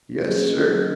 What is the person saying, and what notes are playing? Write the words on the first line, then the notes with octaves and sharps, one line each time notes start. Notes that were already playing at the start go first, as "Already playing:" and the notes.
"Yes, sir."
F#3 A3 A#3 C#4 G#4 D#5